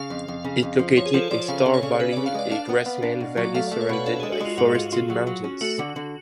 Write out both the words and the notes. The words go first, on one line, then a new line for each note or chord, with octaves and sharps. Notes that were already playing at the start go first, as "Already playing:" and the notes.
It located in Star Valley, a grassland valley surrounded by forested mountains.
Already playing: C#3 F5
F2
F2
C#3
F2
F3
F3 C#5
G#4
F3 A4
F3 D5
C#3 F5
C#3
C#5
C#3
C#3 B4
C#3 D5
F5
G#3 D5
D4 F5
B3
B3
D4
B2
F#3
D5
A3 F5
A3 D5
C#5
B2 B4
D4 A4
G#3 G#4
F#4
G#3 F4
G#2 F#4
F4
F4
F#3
F#3
C#4
A3 F#4
D3
D3